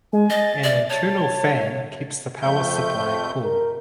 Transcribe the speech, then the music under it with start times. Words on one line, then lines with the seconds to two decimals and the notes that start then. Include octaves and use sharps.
An internal fan keeps the power supply cool.
0.13 G#3 G#5
0.30 D#5 A6
0.63 D5 E5
0.90 C#5 A5
2.42 F2 A3 G6
3.44 A#4